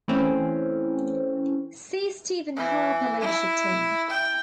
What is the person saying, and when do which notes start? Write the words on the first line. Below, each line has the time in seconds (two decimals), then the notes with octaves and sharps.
See Stephen Harper Leadership Team.
0.08 E3 A3 C4 C#4
2.57 E3
3.21 E4
4.10 G5